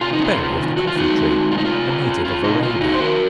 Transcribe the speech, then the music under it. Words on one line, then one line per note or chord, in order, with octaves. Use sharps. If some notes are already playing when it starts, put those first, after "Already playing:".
The berry of the coffee-tree, a native of Arabia.
C3 F4
D#4
C#4 F4
C3
D#3
D#3 F#4
F4
D#3 D#4 F#4
G#3
G#3
C3 F4
D#4
C3 F4
C#4
C#4
C#4 F4
C3 D#4
C#4 F4
C#4 D#4 F#4
C5
D#3 F#4 A#4